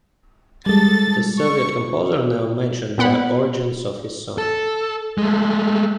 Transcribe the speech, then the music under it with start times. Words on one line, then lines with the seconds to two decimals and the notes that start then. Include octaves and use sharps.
The Soviet composer never mentioned the origins of his song.
0.66 G3 G#3 A4 A6
1.37 C#6
2.98 A#2 B3 F#5 B5
4.38 A4
5.18 G#3 A3